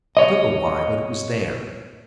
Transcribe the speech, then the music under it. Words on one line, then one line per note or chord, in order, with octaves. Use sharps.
I don't know why, but it was there.
C#5 D#5